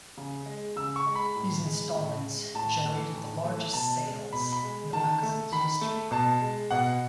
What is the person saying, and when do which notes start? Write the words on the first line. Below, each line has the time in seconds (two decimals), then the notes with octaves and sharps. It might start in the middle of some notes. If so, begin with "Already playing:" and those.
These installments generated the largest sales in the magazine's history.
0.17 C#3
0.46 G#3
0.76 C#3 E6
0.96 C#6
1.06 G#3
1.15 B5
1.36 A2
1.66 G#3
1.95 A2
2.24 G#3
2.55 A2 A5
2.85 E3 A3
3.14 A2
3.44 E3 A3
3.73 B2 A5
4.04 G#3
4.32 B2 B5
4.52 B5
4.63 G#3
4.93 D#3 A5
5.23 A3
5.52 D#3 B5
5.81 A3
6.11 B2 A5
6.41 G#3
6.71 B2 F#5